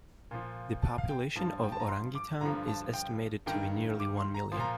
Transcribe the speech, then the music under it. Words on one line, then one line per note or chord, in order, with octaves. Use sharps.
The population of Orangi Town is estimated to be nearly one million.
A#2 F3
A5
F5
G5
G2 F3 A5
G5
A5
A#5
C6
D6
G2 D3 F3 A#5
A5
G5
G2 D#3 G5
D6
C6
A#5
A#2 F3 A#5 C6